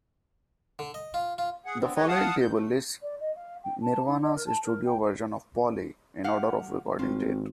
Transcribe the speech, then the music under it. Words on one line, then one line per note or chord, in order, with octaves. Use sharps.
The following table lists Nirvana's studio versions of "Polly" in order of recording date.
D3
D#5
F4
F4
G#4 F#5
D3 B3 C4
G#3 B4 C#5 D#5
F5 F#5 A5 D#6
D#3 G6
A3
D5
D#5
F5
G5
A5
D#4
D#5
A#4
A5
A#4
G5
G4 F5 F#5
G#1 D#3 C4 F4